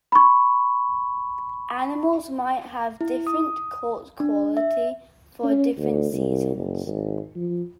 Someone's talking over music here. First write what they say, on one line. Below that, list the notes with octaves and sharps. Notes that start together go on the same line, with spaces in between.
Animals might have different coat quality for different seasons.
B5 C#6
E4
D#6
D4
E5
C#4
D2
C2
F#1
G#1
F3